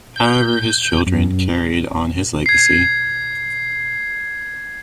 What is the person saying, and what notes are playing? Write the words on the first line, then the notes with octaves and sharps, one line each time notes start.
However his children carried on his legacy.
G6
F#2
G#6 C7